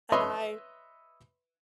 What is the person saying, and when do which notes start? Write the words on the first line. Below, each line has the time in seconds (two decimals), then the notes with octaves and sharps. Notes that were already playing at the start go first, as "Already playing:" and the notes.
And I
0.12 B4 C#5 D#5 E5 B5 C6